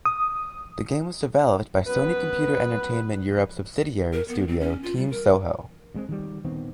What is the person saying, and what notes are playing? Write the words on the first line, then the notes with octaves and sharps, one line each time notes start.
The game was developed by Sony Computer Entertainment Europe subsidiary studio Team Soho.
D#6
F#2 B3 B4
A#4
B3
C4
C#4
F4
G3
A#4
G2 G#3 C4
D#3 G3
D#1 D#3 B3 C4